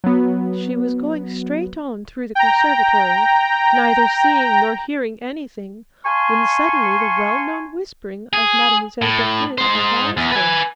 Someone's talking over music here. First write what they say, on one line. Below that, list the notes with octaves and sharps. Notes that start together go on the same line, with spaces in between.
She was going straight on through the conservatory, neither seeing nor hearing anything, when suddenly the well-known whispering of Mademoiselle Bourienne aroused her.
F#3 B3
G5 A#5
F5 G#5 A5 C6 C#6
G#4
A2
G#3 C5
E2
B4 G#5